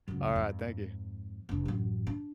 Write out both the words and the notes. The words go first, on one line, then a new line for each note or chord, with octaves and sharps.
Alright, thank you.
C#2 F#2
F2 G#2
F1 D4
A1 F#2
D4